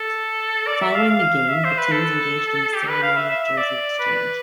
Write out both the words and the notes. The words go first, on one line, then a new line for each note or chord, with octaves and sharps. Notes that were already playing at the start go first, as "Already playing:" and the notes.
Following the game the teams engaged in a ceremonial jersey exchange.
Already playing: A4
D5
E5
F5
F5
E5
C5
B4
A4
G4
B4
F5
E5
E5
E5
D5
B4